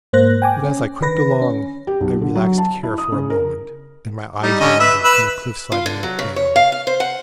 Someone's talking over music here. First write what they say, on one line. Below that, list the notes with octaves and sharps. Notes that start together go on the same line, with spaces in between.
But as I crept along, I relaxed care for a moment, and my eyes wandered from the cliff-side and looked down.
G#2 A#3 C5 F#6 A#6
G5 G#5 D6
C#4
D3 D#3 B4 A#6
C#4
G4
B1
D3
F#3
A5
E4
D#6
C#3
A#4
G3 D#4
D3 C#4 D#5
B4 E5
B4 B5 E6
F4
D3
F#3
C#3
C#5
F5
F5
C5
F#5